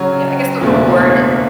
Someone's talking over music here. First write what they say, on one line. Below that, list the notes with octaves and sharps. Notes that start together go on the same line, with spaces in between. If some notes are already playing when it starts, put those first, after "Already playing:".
Yeah, I guess the reward
Already playing: C#3 F#3 C#4 F#4
F#1 E2 B2 A3 D4